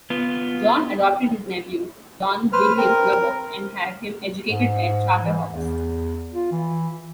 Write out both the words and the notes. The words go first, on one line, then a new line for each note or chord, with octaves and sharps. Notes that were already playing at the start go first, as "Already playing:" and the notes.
John adopted his nephew, John William Lubbock and had him educated at Charterhouse.
B3 F4
B4 C5 F6
C4 A#4
G#2
E3
E2
F4
E3